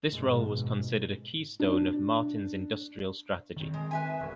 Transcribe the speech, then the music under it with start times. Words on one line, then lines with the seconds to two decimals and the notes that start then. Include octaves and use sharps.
This role was considered a keystone of Martin's industrial strategy.
0.11 G#1 G#2 B2
1.60 D4
3.56 D#3 C4
3.74 G#3
3.91 B4 E5 G#5
4.20 E1